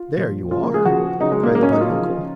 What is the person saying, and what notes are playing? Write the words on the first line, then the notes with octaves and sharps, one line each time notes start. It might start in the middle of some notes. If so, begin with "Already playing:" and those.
"There you are!" cried the bunny uncle.
Already playing: F4
A#2 F3
C#3 F3 F4
A#3
G#4
C#3 F3 F#4
C#3 F#3 D#4
G#3
A#3
C#3 F#3 A#3
C#4
D#4
F4
C#3 F3